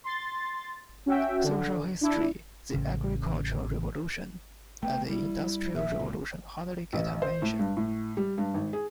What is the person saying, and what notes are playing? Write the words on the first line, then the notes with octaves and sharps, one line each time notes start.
Social history, the agricultural revolution, and the industrial revolution hardly get a mention.
C6 A6
C#4 F#4 E5 G5
D3
D4 E4
A1 C#3
A3 B3 G5
G3 E4
A#1 E5
C#2 A#2
A1
C5
A2
G2
A2
G3
G2
G#1
G#4